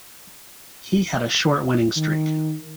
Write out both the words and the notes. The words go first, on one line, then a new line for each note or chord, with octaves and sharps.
He had a short winning streak.
D#3